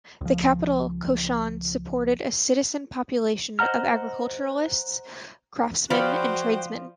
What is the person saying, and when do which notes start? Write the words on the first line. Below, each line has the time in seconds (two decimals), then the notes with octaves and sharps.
The capital, Qashan supported a citizen population of agriculturists, craftsmen and tradesmen.
0.21 C#2 F3
3.59 C5 D#5 F#5 A#5 F6
5.90 F3 F4 F#4 C5 D5 G5 B5